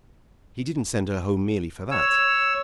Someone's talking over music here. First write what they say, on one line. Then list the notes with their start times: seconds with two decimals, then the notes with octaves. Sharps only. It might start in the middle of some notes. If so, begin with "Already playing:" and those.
He didn't send her home merely for that.
1.91 C#5 E6